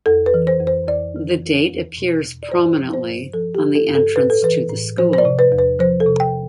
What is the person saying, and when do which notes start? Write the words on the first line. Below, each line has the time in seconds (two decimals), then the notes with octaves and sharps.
The date appears prominently on the entrance to the school.
0.06 F2 A4
0.26 B4
0.34 E3
0.47 C5
0.60 F2
0.67 C5
0.87 F2 D5
1.16 E3
1.43 F2
1.69 E2
1.98 B2
2.25 E2
2.43 D5
2.52 G2 C5
2.80 F3
2.93 C5
3.07 G2
3.33 F3 A4
3.55 G4
3.61 D3
3.75 A4
3.88 G2
3.95 A4
4.15 A2 B4
4.30 A4
4.42 E3 B4
4.70 A2
4.97 F3 C5
5.13 C5
5.18 D5
5.25 C3
5.39 B4
5.52 E2
5.59 B4
5.79 F3 C5
6.00 A4
6.07 C3
6.20 G5